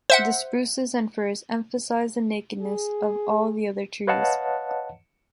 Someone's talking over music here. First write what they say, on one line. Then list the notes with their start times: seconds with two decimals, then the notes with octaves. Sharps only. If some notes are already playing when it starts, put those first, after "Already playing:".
The spruces and firs emphasize the nakedness of all the other trees.
0.10 C5 E5 F#5
2.62 G#4
4.07 B4 C#5 D#5 F5 F#5 A5